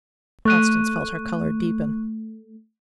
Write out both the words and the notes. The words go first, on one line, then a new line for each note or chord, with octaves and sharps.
Constance felt her colour deepen.
A3 C#6 F#6 D#7